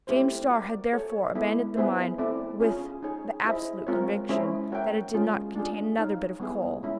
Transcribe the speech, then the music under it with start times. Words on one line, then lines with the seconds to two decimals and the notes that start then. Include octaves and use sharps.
James Starr had therefore abandoned the mine with the absolute conviction that it did not contain another bit of coal.
0.07 A3 C4 E4 G4 C5
0.50 F#4 A#4 D5
0.93 F#4 A4 C#5
1.34 G#3 B3 E4 A4 D5
1.76 B3 E4 G#4 C5 E5
2.18 A3 C4 E4 A4 D5
2.60 C#4 F4 G#4
3.03 D#4 G#4 C#5
3.45 E4 G#4 C5 D#5
3.87 G#3 C4 F4 A#4 C#5
4.29 G#3 C#4 E4 G#4 C5
4.72 F#4 A#4 C#5 E5 G5
5.14 G#3 C#4 F4 G#4
5.56 D4 F4 G#4
5.99 D#4 G#4 C#5 F5
6.40 G3 B3 E4 G#4
6.83 G#3 C#4 E4